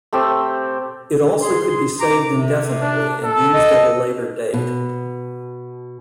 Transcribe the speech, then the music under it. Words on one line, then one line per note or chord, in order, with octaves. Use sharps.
It also could be saved indefinitely and used at a later date.
A3 C4 G4 E6
G#4 C6
A#5 D6
C3
D4
A4
D#5
B2